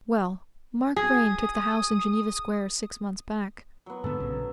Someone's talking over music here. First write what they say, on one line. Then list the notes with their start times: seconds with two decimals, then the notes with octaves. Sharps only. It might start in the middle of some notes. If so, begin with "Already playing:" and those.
Well, Mark Vrain took the house in Geneva Square six months back.
0.96 G#4 D#6
3.86 F#3 B3
4.04 G#2 D3 B3 A4
4.20 A#1 C#3